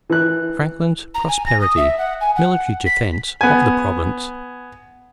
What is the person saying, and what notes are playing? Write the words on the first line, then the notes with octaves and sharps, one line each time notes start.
Franklin's Prosperity. Military Defence of the Province.
E3 F#6
A#5
G#5
A#6
D#6
E5
F#5
G#5
F#5
B6
B3 G#5